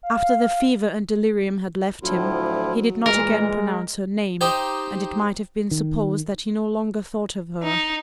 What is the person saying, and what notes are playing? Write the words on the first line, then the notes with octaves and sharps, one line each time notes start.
After the fever and delirium had left him, he did not again pronounce her name, and it might have been supposed that he no longer thought of her.
F5
D2 A2 F3 F#3 E4 F4
A#2 E3 G#3 A#4
D#4 G4 C5
D#3
D#4